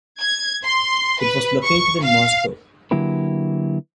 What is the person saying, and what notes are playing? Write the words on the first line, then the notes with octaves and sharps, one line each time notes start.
It was located in Moscow.
G#6
C6
B4
C#6
F5
D3 F#3 A#3 E4 G4 B4